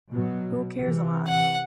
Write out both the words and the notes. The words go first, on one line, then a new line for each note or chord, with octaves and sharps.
Who Cares a Lot?
B2 F#3
C3 E3
F#5